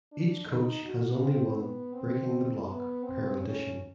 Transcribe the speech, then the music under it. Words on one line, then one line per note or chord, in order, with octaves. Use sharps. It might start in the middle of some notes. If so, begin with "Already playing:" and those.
Each coach has only one "Breaking The Block" per audition.
D4
D#4
F#4
C4
B3
C4
B3
C4
C#4